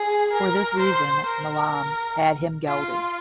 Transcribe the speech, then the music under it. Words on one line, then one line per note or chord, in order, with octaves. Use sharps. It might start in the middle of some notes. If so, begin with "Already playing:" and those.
For this reason, Milam had him gelded.
Already playing: G#4
A#4
C5
A#4
F4